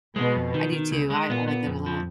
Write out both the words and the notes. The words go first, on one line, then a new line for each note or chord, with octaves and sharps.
I do too. I I like that a lot.
B2 G#3
F2
D#3
D#3
C#2
G#3
A#2 B3
B3
F2
F3